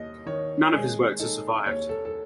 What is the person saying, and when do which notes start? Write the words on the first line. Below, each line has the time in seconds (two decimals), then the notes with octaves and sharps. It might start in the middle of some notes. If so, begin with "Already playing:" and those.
None of his works have survived.
Already playing: D#2 D#5
0.26 D#3 C#5
0.73 G#3 G#4
1.20 D#4 A4
1.66 D#2 C#5
1.89 A4
2.05 A4